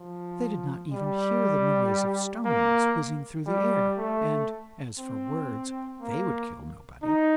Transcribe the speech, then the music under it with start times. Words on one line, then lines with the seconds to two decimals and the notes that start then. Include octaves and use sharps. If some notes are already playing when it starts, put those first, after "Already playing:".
They did not even hear the noise of stones whizzing through the air, and as for words, they would kill nobody.
Already playing: F3
0.92 G3
2.45 A#3
3.47 G3
3.98 A3
5.00 C4
6.01 A#3
7.03 D#4